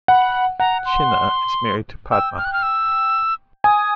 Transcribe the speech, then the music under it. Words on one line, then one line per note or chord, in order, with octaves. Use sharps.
Chinna is married to Padma.
F#5 B5
F#5 A#5
C6
G5 E6
F6
F#6
F6
E6
G#5 D#6